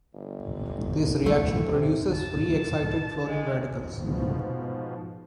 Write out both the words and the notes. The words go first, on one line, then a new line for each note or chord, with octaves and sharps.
This reaction produces free excited fluorine radicals.
G1
F#1 A3
C3
A5
G#3
G#2 B2 F3